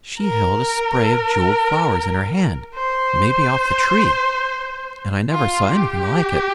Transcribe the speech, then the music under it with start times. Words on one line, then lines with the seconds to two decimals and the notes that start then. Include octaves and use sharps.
She held a spray of jeweled flowers in her hand, maybe off the Tree, and I never saw anything like it.
0.20 A#4
2.75 C5
5.30 F4
5.72 G4